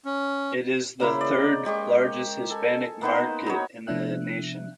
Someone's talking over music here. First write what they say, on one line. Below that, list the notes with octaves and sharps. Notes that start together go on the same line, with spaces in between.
It is the third-largest Hispanic market in the nation.
C#4
C#3 A#3 E4 C5
D5 D#5
G#3 G4 D#5 C#6
A4 G#5
A#3 B3 D#4 C5
D#4 F#4 C#5
C3 F3 B3 D4 E5 F#6